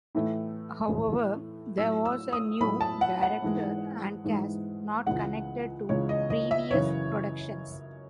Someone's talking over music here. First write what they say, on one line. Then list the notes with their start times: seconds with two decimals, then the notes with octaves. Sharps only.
However, there was a new director and cast, not connected to previous productions.
0.15 A2 E3 A3
0.96 A2 E3 A3
1.78 A2 F#3 A3 E6
2.05 E6
2.33 D#6
2.61 A2 F#3 A3 B5
2.81 A5
3.01 F#5
3.22 F#5
3.42 G#2 E3 G#3
4.24 G#2 E3 G#3
5.07 C#2 C#3 E3 G#3 F#5
5.89 C#2 C#3 E3 G#3 C#5
6.09 D#5
6.30 D#5
6.51 E5
6.71 F#2 C#3 E3 C#5